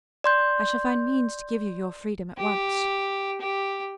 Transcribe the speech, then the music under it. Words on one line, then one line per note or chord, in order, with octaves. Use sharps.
"I shall find means to give you your freedom at once."
D5 C6 G6
G4
G4